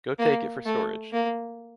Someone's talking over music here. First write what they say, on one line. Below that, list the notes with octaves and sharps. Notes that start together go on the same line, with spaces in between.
Go take it for storage.
A#3
A3
A#3